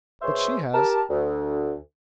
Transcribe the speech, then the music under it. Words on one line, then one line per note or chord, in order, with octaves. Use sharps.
But she has.
B2 G#4 C5 C#5 E5 C6
G4 A#4 A5
D2